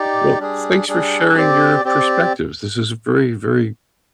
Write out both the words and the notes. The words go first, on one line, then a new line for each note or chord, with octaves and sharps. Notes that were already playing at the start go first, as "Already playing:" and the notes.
Well, thanks for sharing your perspectives, this is a very, very,
Already playing: D#4 G4 D5
G3 D4 G#4
G3 D4 G#4
C4 G4 D5
C4 G4 D5